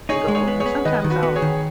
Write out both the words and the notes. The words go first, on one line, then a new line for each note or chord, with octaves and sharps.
go, and sometimes I'll
D#4 G#4 C#5
G#3
G#4 C#5
B3
G#4 C#5
B3
D#3 B4 D#5
D#3
F#4 B4
B3
G#4 C#5
D#3